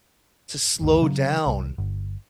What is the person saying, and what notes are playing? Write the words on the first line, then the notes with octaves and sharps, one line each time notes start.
to slow down
G1 D2
C#3 F#3
C2
G1